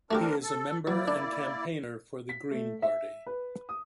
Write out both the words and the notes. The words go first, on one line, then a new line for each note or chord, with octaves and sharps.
He is a member and campaigner for The Green Party.
A3 C4 D4 F#4 G4 A#4
A4
F#3 A#3 E4 D5
D4
B6
A3
E5
B4
D#6